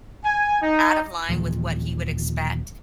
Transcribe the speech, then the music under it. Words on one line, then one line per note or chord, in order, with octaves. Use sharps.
out of line with what he would expect.
G#5
D#4
D#2 A#2 E3 F3